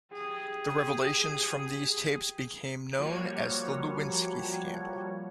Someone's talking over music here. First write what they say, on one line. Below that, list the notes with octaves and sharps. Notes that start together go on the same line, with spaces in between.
The revelations from these tapes became known as the Lewinsky scandal.
G4 G#4
F3 G3 A#3 F#4 C#5